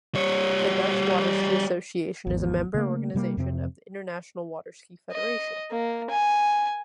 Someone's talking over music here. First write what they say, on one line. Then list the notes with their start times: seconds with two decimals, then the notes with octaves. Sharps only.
The Dutch Waterski Association is a member organization of the International Water Ski Federation.
0.15 G3 C#5
2.27 G#1 E2
2.74 C#3 A3 A#3
3.15 C3 G3 A3 A#3
3.37 F2 C3 A#3 C4
5.13 D#5
5.72 A#3
6.10 G#5